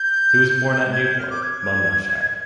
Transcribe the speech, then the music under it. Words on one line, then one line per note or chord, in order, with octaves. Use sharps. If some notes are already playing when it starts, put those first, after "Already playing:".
He was born at Newport, Monmouthshire.
Already playing: G6
G#6
G6
F6
D6
G#6